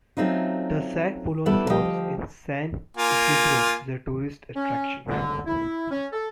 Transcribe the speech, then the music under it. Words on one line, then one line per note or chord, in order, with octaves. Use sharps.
The Sagpulon Falls in San Isidro is a tourist attraction.
F#3 A3 C4 C#4 D#4 F4
G3 B3 D4 E4 A4
D2 F3 G4 D#5 G5
A#3 F4 G#5
C#4
D3
E4
C#4
A4